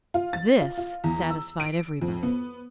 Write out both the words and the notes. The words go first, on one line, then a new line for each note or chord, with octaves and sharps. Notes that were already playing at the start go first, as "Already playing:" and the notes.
This satisfied everybody.
F4
A6
F4
F4
E2
E6
D7
F2
B3